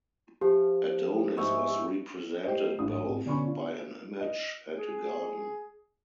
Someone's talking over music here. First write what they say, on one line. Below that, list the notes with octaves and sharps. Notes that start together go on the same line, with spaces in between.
Adonis was represented both by an image and a garden.
F3 G4
G#2 C#5 E5
G4 C5 D#5
A1 G#2 D4 D#6
C2
B2 D3 C#4 B5 C#6
D4 F4
D#5
G#4